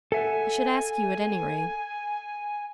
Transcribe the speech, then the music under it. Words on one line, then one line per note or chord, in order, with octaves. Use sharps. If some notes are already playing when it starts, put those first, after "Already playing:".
I should ask you at any rate.
A4 E5 F#5 G#5